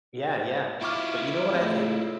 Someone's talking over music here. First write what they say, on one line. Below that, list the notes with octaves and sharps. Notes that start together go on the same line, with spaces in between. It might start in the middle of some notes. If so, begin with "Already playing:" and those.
Yeah, yeah. But you know what I think?
E4 F4 C#6 D6 F6
A2 G#3 C4